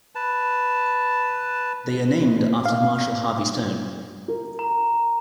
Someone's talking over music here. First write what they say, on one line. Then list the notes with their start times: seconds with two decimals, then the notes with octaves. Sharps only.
They are named after Marshall Harvey Stone.
0.15 B4 A5
2.66 F5
4.28 A#4
4.59 A#5